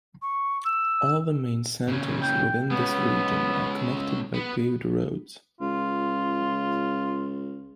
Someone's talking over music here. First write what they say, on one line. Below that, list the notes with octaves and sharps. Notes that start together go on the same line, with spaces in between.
All the main centres within this region are connected by paved roads.
C#6
E6
A#2 C#3
G5
G#3 B3 C#4
B3
C#2 F4